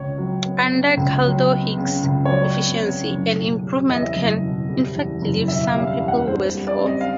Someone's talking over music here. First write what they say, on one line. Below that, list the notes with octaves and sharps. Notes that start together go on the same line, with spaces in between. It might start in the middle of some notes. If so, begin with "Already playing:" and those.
Under Kaldor-Hicks efficiency, an improvement can in fact leave some people worse off.
Already playing: C#2 C#5
F#3
B3
C#3
C#2
F#3
B3
C#3
C#2
C#5
F#3 D5
B3
C#3
F#1
B2
G3
E2 D#5
E5
D#5
F#1
B2
G3
E2
F#1
B2 E5
F5
G3 E5
F5
E2
F#5
G2 C5
G3
D5
C4
D#5
F5